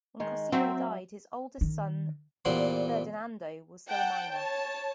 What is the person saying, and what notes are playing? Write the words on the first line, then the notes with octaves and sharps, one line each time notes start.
When Cosimo died, his oldest son, Ferdinando, was still a minor.
D#3 G#3
F#3 C4 E5
D#3
E2 A#2 G3 C4 F#5 C6
F#5 G5 A5
C#5 A5